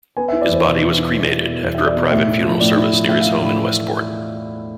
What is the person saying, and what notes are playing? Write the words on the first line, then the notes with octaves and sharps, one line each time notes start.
His body was cremated after a private funeral service near his home in Westport.
B3 G#5
E5
E4
D5
E2 C5
B2
E4
E4
B2
E4
B2
E2
E5
E4
D5
B2
A2 E5
E4
F3
A2 D5
E4
F3
A3 E5
F5
F3
A2 B5